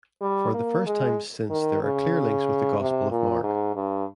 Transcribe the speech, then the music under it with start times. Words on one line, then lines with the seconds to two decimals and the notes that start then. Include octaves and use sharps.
For the first time since there are clear links with the Gospel of Mark.
0.22 G3
0.54 A#3
0.86 G#3
1.50 D#3
1.83 C#3
2.79 C3
3.11 A#2
3.43 G#2
3.76 G2